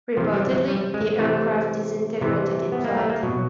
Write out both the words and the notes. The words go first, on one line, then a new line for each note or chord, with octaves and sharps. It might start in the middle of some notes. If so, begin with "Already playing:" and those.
Reportedly, the aircraft disintegrated in flight.
C3 E3 F3
G3
F#3
G3
G#3
C3 E3 A3
C3 E3
B3
A#3
A3
A#3
B2 F#3